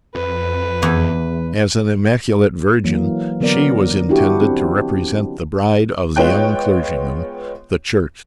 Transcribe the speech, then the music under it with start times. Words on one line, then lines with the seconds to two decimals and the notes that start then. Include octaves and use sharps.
As an immaculate virgin, she was intended to represent the bride of the young clergyman, the Church.
0.15 F2 B4
0.82 E2 F#5
2.84 E3 F#3 A#3
3.40 D3 F#3 B3 A#4 D5
4.09 D4 E4 F#4 G4
4.42 C4
6.16 G#3 B3 F4 C#5 G5 F#6